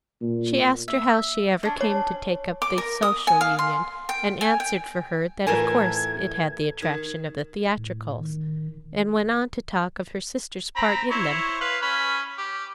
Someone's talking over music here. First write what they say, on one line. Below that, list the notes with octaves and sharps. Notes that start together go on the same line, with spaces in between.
She asked her how she ever came to take up the Social Union, and answered for her that of course it had the attraction of the theatricals, and went on to talk of her sister's part in them.
A#2
E5
C#4 D4
C#5
D6
A#4
D#6
G#5
F5
C6
G5
G#5
G5
A2 E3 F4 A4 A#4 G#5 G#6
D#3 G#6
A2
D#3
D#1
C4 A#5 B5
E4 C5 C#5
B4 F5
C#4 B5
G4